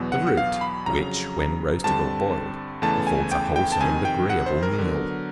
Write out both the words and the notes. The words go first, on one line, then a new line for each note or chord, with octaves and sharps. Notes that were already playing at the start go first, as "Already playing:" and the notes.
The root, which, when roasted or boiled, affords a wholesome and agreeable meal.
Already playing: E2 B2 F#3 B3
F#5
F#5
F5
B5
F2 C#3 F#3 A#5
G2 D3 G3 C4 A5
E2 C#3 E3 A3 A5
G#5
G5
G5
A5
F2 C3 D#3 G#5
G5
F#5
C5
A#4
D3 F#3 B3